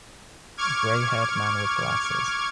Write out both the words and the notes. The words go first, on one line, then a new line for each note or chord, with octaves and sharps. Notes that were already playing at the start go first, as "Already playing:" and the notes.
Grayhaired man with glasses.
C#6 D6 F6 G#6